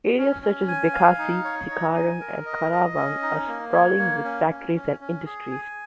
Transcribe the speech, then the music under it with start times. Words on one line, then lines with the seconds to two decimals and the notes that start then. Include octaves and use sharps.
Areas such as Bekasi, Cikarang and Karawang are sprawling with factories and industries.
0.18 C#4
0.42 C#4
0.68 G#5
0.93 F5
1.19 D#4
1.44 C#5
1.70 D#4
1.95 G#5
2.20 A#4
2.46 D#5
2.72 D#5
2.96 C#4
3.23 D#4
3.48 A#3
3.73 C#5
3.98 A#3
4.24 C#4
4.50 C#4
4.75 C#4
5.00 C#4
5.25 G#4
5.51 G#5